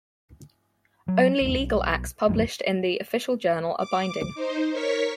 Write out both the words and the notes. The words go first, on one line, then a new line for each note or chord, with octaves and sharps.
Only legal acts published in the Official Journal are binding.
F#3
A#1 E2
B1
B1 F#2 F3 G#3
D6
D#4 C5
A#4 C#5 C#6 B6